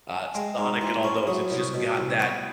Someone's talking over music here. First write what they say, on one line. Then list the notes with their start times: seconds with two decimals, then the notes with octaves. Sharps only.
uh, Sonic and all those, it's just got that
0.16 A5
0.26 G#5
0.35 G#3 F5 G5
0.57 G#2 A#5 C6
0.81 E3 A#5 C6
1.04 C#4 B5 C#6
1.27 F#3 C#6 D#6
1.51 C2
1.59 C#6 D#6
1.74 B2
1.89 D6 E6
1.97 C2
2.20 B3 C#6 D#6